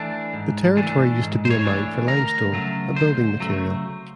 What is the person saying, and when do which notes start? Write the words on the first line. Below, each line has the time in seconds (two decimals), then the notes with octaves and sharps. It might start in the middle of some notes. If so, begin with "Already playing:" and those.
The territory used to be a mine for limestone, a building material.
Already playing: E3 A3 D4
0.33 G#2
0.77 E3 A3 D4
1.21 G#2
1.45 C5
1.50 C#5
1.65 E3 A3 D4
2.08 D2 A#4
2.52 C#3 F#3 A3
2.96 D2 C5
3.40 C#3 F#3 A3